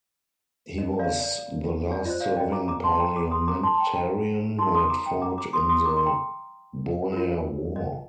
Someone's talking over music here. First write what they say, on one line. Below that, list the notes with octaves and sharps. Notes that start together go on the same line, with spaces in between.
He was the last serving parliamentarian who had fought in the Boer War.
D#5
D5 F5
D5
D5
F4 C5 D#5
D5 F5
D#5 G5
A#5 D6
A#5 D6
A5 C6
G5 A#5
A#5 D6
C6 D#6
A#5 D6
A5 C6
A5
G5 A#5
G5 A#5
D#4 A#4 A5 C6
C6 D#6
A#5 D6
G5 A#5
A#5 D6
A#5 D6
C6 D#6
C6 D#6
A#5 D6
C6
G5 A#5
F4 A#4
D#5